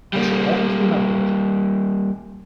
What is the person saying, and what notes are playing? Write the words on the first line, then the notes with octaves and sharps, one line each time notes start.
I shall always remember it.
G3 A#3